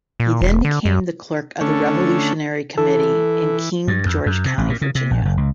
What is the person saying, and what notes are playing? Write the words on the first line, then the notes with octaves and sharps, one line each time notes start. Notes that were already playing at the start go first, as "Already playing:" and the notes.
He then became the clerk of the Revolutionary Committee in King George County, Virginia.
A#2
E1
D3
F#2
D3 A3 C#4
E3 A4
G2
F2
F#2
C3
A1
A#2
C#3
C3
A#1
F#1
C#2